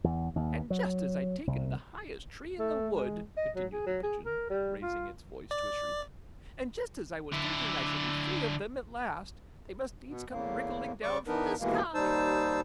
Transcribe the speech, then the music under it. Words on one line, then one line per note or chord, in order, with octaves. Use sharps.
'And just as I'd taken the highest tree in the wood,' continued the Pigeon, raising its voice to a shriek, 'and just as I was thinking I should be free of them at last, they must needs come wriggling down from the sky!
E2
D#2
F#3
C2
A3
G#3
D#5
F#3
G#4
F#3
G#4
A#4
G3
F4
D5
D3 E4
B2
E2 A2 A#3
C#3 G3 D5 C#6 D6
E3 B3 D4 D#4 A#4 B4
D#2 B2 E3 G#3 A#3
D#2 G3 D#4 C5 A5 E6